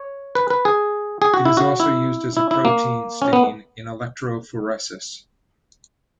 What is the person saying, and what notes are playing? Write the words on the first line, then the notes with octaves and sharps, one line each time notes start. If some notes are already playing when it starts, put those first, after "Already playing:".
It is also used as a protein stain in electrophoresis.
Already playing: C#5
B4
B4
G#4
G#4
F#4
E4
F#4
E4
E4
E4
A#3
C#4
B3